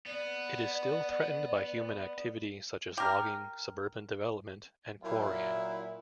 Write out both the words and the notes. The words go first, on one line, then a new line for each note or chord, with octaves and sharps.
It is still threatened by human activity such as logging, suburban development, and quarrying.
B3 D5
G4 A#4
A#2 F#3 A#3 E4